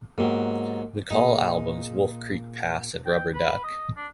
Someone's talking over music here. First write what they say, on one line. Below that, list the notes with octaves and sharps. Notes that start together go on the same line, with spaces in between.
McCall albums Wolf Creek Pass and Rubber Duck.
G#2 F#3 A#3 B3 G4
A#2 D#4 G#4
G5
B4
D#5
D4